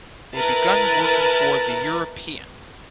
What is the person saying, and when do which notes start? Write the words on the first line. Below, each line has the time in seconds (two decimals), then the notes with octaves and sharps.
They began working for "The European".
0.35 E4 A#4 B4 A5 F#6 A6